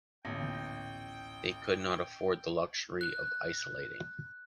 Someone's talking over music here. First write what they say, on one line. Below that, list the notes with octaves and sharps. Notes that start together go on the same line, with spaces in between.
They could not afford the luxury of isolating.
A1 D2 A#2 B3 G5
F#6